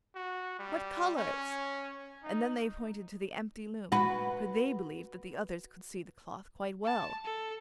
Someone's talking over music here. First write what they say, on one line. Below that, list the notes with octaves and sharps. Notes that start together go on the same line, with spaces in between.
What colours!' And then they pointed to the empty loom, for they believed that the others could see the cloth quite well.
F#4
G3
C#4
D#4
F#4 B4
A5
A4